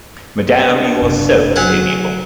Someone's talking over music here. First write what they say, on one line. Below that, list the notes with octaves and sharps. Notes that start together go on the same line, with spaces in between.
Madame, you are so amiable!
E3 A#3 D4
F#1 C3
F#3 C#4 F#5